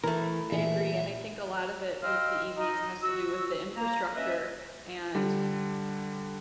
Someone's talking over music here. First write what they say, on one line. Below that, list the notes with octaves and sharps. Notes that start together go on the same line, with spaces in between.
I agree, and I think a lot of it with the EVs has to do with the infrastructure, and
E3 A3 A#4
A#2 E3 G#4 E5
D#5 F5 G5 C6 E6 F6
D#4 D#5
F#4 E6
A#3 A#5
C#4 B4 D#5 E5
D3 G3